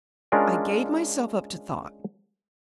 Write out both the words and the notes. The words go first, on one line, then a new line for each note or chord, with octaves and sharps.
I gave myself up to thought.
G#3 C#4 D4 F4 A#4 D5